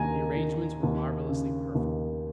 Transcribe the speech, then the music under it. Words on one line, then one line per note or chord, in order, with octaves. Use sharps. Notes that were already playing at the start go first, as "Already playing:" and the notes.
The arrangements were marvelously perfect.
Already playing: D#2 D#3 G#5 A#5
D#3
D#2
C#3
D#2